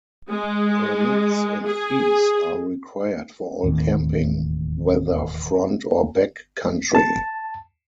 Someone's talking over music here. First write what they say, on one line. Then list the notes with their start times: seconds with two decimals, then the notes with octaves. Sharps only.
Permits and fees are required for all camping, whether front or back country.
0.29 G#3
1.66 G#4
3.63 E1 D#2 A2 C4
6.95 A5